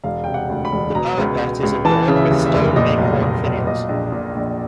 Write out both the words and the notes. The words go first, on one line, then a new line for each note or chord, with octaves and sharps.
The parapet is adorned with stone acorn finials.
E1 F5
C3 G5
F#5
D2
B5
E1
B2 A#5
C#2
B2
C#2
E3 A5
C#3
E5
D#2
E5
F1
A#2 D#5
B1
A#2
B1
A#2 D#5
A#1
A#2
A#1